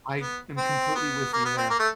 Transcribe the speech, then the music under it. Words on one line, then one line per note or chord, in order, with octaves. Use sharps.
I am completely with you there.
B3
C4
B3
A#3
B3
C4
A#3
A3